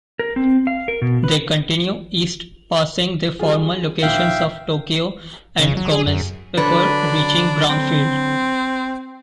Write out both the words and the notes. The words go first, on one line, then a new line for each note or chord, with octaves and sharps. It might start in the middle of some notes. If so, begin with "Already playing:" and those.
They continue east passing the former locations of Tokio and Gomez before reaching Brownfield.
A#4
C4
F5
A#4
B2
B4
G3 F4 G#4
A#1 D#2 E5 F5 G5
C#3
F#3
G#4
F#2
D3 F#3 D4 A4 B4
C4